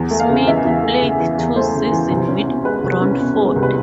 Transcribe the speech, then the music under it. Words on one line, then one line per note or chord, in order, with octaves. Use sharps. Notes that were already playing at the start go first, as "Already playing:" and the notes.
Smith played two seasons with Brantford.
Already playing: E2
A3
F5
C#3
E3 E5
E2
A3
C#3
E3
E2
A3 C5
C#3
E3
C2
C#4
B2
G#3 B4
C2
C#4
B2
G#3
C2
B4